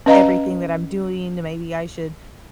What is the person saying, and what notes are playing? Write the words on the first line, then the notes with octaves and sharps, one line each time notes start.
everything that I'm doing, then maybe I should
C#4 B4 D#5 F5 A#5